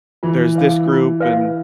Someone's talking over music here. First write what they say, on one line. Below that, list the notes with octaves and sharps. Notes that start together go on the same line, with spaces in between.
"There's this group and"
E3 F4
B4 F5
F4
B4 F5